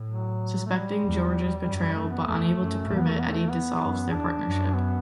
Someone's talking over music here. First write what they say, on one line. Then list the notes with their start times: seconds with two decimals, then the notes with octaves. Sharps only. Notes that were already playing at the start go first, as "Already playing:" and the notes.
Suspecting George's betrayal but unable to prove it, Eddie dissolves their partnership.
Already playing: A2
0.08 F#3
0.66 A3
0.71 G3
1.02 E2
1.64 F#2
1.95 A3
2.10 B3
2.25 E2 A3
2.58 F#2
2.88 E2 A3
2.98 B3
3.09 A3
3.20 B3
3.29 A3
3.50 B3
3.81 F#2
4.11 E2 D4
4.44 F#2
4.74 B3